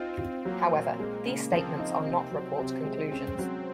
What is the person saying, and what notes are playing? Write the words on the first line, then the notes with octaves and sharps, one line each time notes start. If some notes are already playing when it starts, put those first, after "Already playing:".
However, these statements are not report conclusions.
Already playing: C4 D#4 F4
F4
F#3 A#3
A#2
G#3
C#3
F3 C4
D#4
C3
F#3
C3
G#3
C4 C#4
F#3